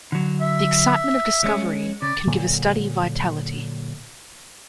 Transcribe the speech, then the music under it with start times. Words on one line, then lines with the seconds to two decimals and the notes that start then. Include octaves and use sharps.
The excitement of discovery can give a study vitality.
0.12 D3 F#3
0.41 E5
1.44 G#3 C#4
2.02 C#3 D5
2.27 A#2 D3 F#3